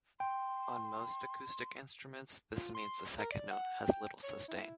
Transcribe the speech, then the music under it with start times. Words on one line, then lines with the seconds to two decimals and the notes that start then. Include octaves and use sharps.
On most acoustic instruments, this means the second note has little sustain.
0.20 G5 C6
2.55 F4
2.75 C6
3.18 A#4
3.32 D5
3.51 F#5
3.84 G5
4.23 C#5
4.48 E4